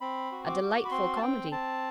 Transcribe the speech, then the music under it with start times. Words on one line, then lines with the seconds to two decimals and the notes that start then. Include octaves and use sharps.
A delightful comedy.
0.01 C4 B5
0.32 F#4
0.46 D6
0.62 F#4
0.85 B5
0.91 C4 C6
1.17 A5
1.22 C4 G5
1.51 C4 A5